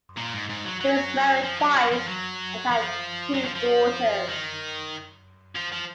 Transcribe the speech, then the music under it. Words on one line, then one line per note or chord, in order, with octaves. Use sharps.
He was married twice, and had two daughters.
A#2
G#2
G#2
F#3
F#3
F3
F#3
F3
F3
F#3
F3
F#3
F3
F3
D#3
F3
F3